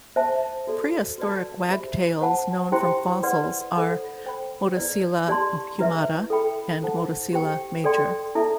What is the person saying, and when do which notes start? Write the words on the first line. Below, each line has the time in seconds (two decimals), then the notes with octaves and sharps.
Prehistoric wagtails known from fossils are "Motacilla humata" and "Motacilla major".
0.16 C5 E5 A5
0.67 F#4 A4 D5
1.18 F#4 B4 D5 A5
1.70 G4 C5 E5 B5
2.21 C5 F#5 A5
2.72 E4 G4 C5 G5 C6
3.23 B4 D5 F#5 C6
3.75 A4 C5 F#5 B5
4.26 C5 G5 B5
4.77 E4 B4 D5
5.28 G4 D5 A5 C6
5.79 E4 B4 E5
6.30 A4 E5 G5 B5
6.82 E4 A4 C5 F#5 A5
7.33 G4 C5 G5
7.84 A4 D5 G5 C6
8.35 E4 A4 E5 A5